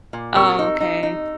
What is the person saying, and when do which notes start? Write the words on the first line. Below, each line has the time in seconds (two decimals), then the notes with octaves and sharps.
Oh, okay.
0.13 A#2
0.36 A#4 C#6 E6
0.59 D#4
0.80 D#4
1.03 D#4